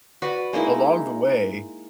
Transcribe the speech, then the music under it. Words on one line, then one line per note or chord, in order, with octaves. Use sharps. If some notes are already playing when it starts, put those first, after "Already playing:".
along the way,
F#4 B4 D5 B5
G#3 A#3 D#4 E4